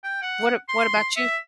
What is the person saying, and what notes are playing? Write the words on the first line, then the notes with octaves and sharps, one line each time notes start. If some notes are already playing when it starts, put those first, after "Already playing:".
What a what about you?
G5
F#5
C6
E5